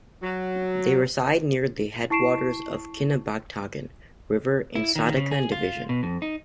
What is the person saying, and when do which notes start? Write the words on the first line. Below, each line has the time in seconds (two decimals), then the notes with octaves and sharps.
They reside near the headwaters of Kinabatangan River, in Sandakan Division.
0.23 F#3
2.10 E4 A5 C#6 C7 D7 E7
4.75 E4
4.96 D#3
5.17 C#3
5.31 G#4
5.52 F4
5.89 B2
6.03 F2
6.22 D#4